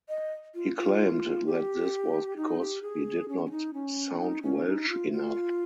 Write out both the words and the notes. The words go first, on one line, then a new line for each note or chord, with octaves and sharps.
He claimed that this was because he did not sound Welsh enough.
D#5
F4
F4
G4
D#4
G4
G#4
C#4
C#4
D#4
C#4
D#4
C#4
D#4
F4
F4